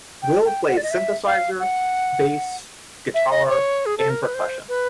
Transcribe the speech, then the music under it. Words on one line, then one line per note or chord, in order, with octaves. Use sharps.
Will plays synthesizer, bass, guitar and percussion.
G5
G5
F#5
D5
D#5
E5
F5
F#5
E5
D#5
C#5
G#4
A4
A#4
B4
C5
B4